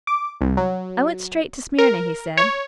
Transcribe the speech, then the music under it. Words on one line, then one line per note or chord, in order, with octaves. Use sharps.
'I went straight to Smyrna,' he said.
D6
C2
F#3
A#4
C#5